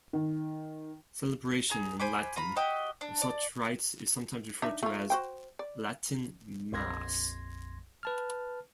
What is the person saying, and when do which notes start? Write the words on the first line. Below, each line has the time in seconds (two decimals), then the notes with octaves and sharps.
Celebration in Latin of such rites is sometimes referred to as "Latin Mass".
0.13 D#3
1.70 G#4 A#5
1.99 C5 G#5 B5 D6
2.36 F4 A#5 B5
2.56 F#4 G4 D#5 E6
3.01 D4
3.22 D5
4.62 D4 D#4 E5
4.83 A3 F4
5.10 F#4 C5 G5
5.59 D5
6.72 A#1 F2 C6 G#6 A#6
8.03 B4 A5 F6